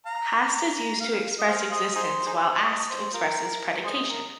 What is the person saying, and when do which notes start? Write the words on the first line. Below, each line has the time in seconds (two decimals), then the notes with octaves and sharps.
"Hast" is used to express existence while "ast" expresses predication.
0.06 F5 A#5
0.53 A#5
1.00 F5
1.39 D#5
1.48 G#4 C5 F5
1.72 G#4 C5 D#5
1.95 D#4 G#4 C5
2.26 D#4 G#4 C5
2.58 D#5
2.90 C5
3.14 F4 A#4
3.37 A#4
3.84 G#4 C5 D#5
4.08 A#4